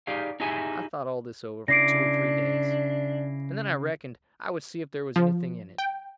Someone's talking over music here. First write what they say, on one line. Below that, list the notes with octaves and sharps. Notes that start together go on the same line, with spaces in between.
I thought all this over for two or three days, and then I reckoned I would see if there was anything in it.
D#4 G4 G#4 D5 F5
D#4 E4 G4 G#4 E5 G#5
C#3 D4 E4 D5 A#6 C7 D7
F3
G5